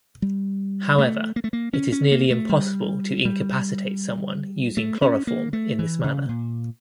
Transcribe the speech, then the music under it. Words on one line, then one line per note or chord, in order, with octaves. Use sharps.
However, it is nearly impossible to incapacitate someone using chloroform in this manner.
G3
A3
A#3
A3
A#3
C#4
C#4
A#3
A3
G3
G3
A3
C#4
A#3
A3
E3
C#3
A#2